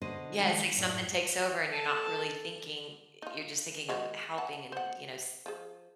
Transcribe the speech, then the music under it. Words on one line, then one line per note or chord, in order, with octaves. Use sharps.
Yeah, it's like something takes over and you're not really thinking eh, you're just thinking of helping and, you know, s
B2 D3 C5 D#5
D#3 F3 G#3 A4
F#2 A2 D5
A4 A5
D#4 F4
D#3 G#3 F#4
F#5 A5
C5 F#5
F3 G#4